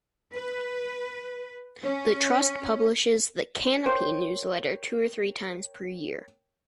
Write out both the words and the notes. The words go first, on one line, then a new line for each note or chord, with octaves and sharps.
The Trust publishes the "Canopy" newsletter two or three times per year.
B4
C#4
A#4 C5 C#5 G5